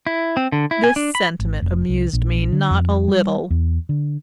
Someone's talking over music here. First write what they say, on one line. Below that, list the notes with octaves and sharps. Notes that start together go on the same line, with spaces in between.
This sentiment amused me not a little.
E4
C4
D3
E4
G#5
D4
B5
G#1
F1
C2
A#1
D3
F2
G3
E2
D3